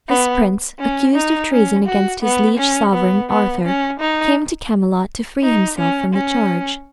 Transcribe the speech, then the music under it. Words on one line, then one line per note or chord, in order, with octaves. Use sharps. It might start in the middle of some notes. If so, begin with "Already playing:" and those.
This prince, accused of treason against his liege sovereign, Arthur, came to Camelot to free himself from the charge.
B3
C#4
D#4
C#4
F#4
B3
C#4
B3
B3
C#4
D#4
D#4
C#4
C#4